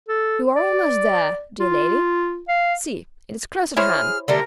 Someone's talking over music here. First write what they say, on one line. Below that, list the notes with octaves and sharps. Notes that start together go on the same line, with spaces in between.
"You are almost there, dear lady--see, it is close at hand!"
A4
D5
F4
F5
E4 G#4 C5 C#5 F6
D3 G3 A3 A#4